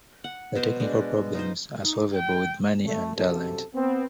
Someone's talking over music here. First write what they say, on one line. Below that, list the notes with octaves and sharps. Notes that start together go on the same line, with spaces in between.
The technical problems are solvable with money and talent.
F#5
B2 C5
G#3 D4
D#4 F4 C5
D#4
G5
A3
B1 F#2 C3 F#3 A4
B3 C4